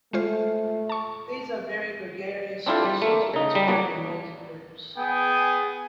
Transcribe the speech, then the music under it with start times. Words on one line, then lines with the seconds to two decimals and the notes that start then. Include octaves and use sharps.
These are very gregarious species, always found in noisy groups.
0.13 G#3 A3 F4 C5
0.89 A5 C#6
2.66 C4 D4 E4 F4 A4 C5
2.85 G3
3.02 A3 A#3
3.34 C#3 D#4
3.55 G3
3.68 F#3 G3 A#3 B3 D4 F#4
4.98 B3 G#4 G5 G#5